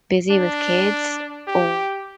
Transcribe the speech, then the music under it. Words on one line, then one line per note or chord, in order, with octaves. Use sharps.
busy with kids or
D4
G4